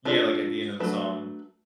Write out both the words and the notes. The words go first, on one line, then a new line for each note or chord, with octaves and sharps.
Yeah, like, at the end of the song?
D4 F4 A4 D5
F#3 A3 D4 F#4 B4